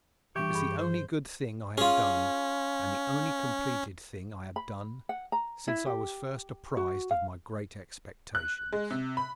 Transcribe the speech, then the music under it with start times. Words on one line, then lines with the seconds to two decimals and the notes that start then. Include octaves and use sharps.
It was the only good thing I had done, and the only completed thing I had done, since I was first apprised of my great expectations.
0.36 E3 G3 D4 G4 C#6
0.53 G2 G#4
0.79 C5
1.78 C#4 F4 G#4
4.56 B5
5.09 F#5
5.32 A#5
5.68 E4
5.86 G4
6.77 F#4
7.11 F5
8.35 F#6
8.72 G#3
8.91 C3
9.17 B5